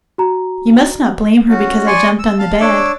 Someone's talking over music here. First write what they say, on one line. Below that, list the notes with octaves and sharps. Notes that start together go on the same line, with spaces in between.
You must not blame her because I jumped on the bed.
F#4 A#5
C#4 F#4
D5 G#5 C6 C#6
E6
F5 A5
D4 C#5 D6 E6